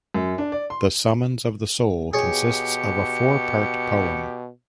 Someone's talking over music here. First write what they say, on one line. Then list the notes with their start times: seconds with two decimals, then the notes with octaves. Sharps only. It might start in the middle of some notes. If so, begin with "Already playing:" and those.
The "Summons of the Soul" consists of a four-part poem.
0.14 F#2
0.38 D4
0.52 D5
0.70 C6
2.13 B2 G4 G#4 C#5 C#7